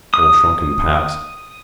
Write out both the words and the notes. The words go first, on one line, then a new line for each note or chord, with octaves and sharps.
Old shrunken paps.
D#6